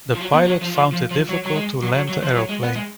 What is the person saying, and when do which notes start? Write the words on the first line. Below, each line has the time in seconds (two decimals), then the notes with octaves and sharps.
The pilot found it difficult to land the aeroplane.
0.15 F3
0.21 F#3
0.34 B3
0.47 F#3
0.62 F3
0.75 F3
0.92 F3
1.11 F3
1.29 F#3
1.45 F#3
1.55 G#3
1.83 F#3
1.96 F#3
2.09 F#3
2.23 F3
2.36 F#3
2.49 G#3
2.63 B3
2.76 G#3